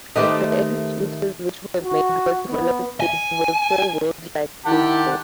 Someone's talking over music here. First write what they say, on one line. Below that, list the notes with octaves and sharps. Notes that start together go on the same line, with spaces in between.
The early scooters, which were made with roller skates, were four-wheeled like skateboards.
D#3 A3 G4 B4 C5 D#5
F#4
B3
G#5
D#3 E4 G4 F#5 A5